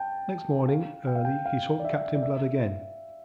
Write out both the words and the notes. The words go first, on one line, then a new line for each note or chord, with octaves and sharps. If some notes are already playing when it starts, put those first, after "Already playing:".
Next morning early he sought Captain Blood again.
Already playing: G5 A5
F5
G5
F5
G5
F5
D5
E5
D5
E5